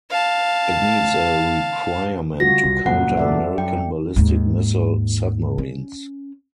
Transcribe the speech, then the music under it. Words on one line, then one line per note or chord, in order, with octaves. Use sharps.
It meets a requirement to counter American ballistic missile submarines.
F5 A5
G3 F4 F#4 A#6
C2
C#2 F#2 A#2 F#5
A4 D5 E5
F#2 G5
D#2 G#2
C#4